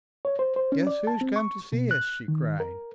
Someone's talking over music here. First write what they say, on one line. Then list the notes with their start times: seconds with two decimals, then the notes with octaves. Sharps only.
"Guess who has come to see us!" she cried.
0.25 C#5
0.39 C5
0.56 C5
0.72 C#4
0.87 D5
1.07 A5
1.21 C4
1.36 C#6
1.72 B2
1.91 F#6
2.28 D#3
2.60 A#4